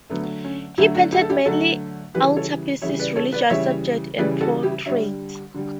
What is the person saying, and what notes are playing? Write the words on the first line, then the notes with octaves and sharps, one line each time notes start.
He painted mainly altarpieces, religious subjects and portraits.
D3 F#3 A3 B3
C#4
D3 F#3 A3 E4 G4
D4 F#4
E4 G4
A4
E4 G4
D3 F#3 A3 F#4 A4
C#3 E3 G3 G4 B4
A4 C#5
C#3 E3 G3 C#5 E5
B4 D5
A4 C#5
B4 D5
C#3 E3 G3 C#5 E5
C#3 E3 G3 B4 D5
F#4 A4
E4 G4
D3 G3 C#5 E5
D3 G3